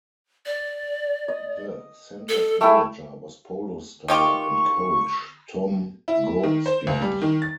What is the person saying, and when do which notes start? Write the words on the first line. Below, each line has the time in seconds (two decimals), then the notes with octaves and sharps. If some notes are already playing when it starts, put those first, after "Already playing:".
The center's manager was polo star and coach Tom Goodspeed.
0.46 D5
1.28 D#5
2.29 A4
2.61 A3 E4 G#4 G5
4.08 D#3 F4 G4 C#6
6.08 E4
6.43 D#3
6.66 C5
6.87 C#2
7.02 G3
7.22 D#3
7.42 A6